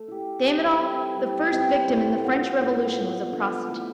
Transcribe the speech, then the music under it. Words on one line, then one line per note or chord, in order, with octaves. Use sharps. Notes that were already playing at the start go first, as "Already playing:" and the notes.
Damn it all, the first victim in the French Revolution was a prostitute.
Already playing: A3
E4 G4
G3
C4 E4 B4
G3
C4 E4 B4
A2
F3 B3
A2
F3 B3
D3
A3 E4 B4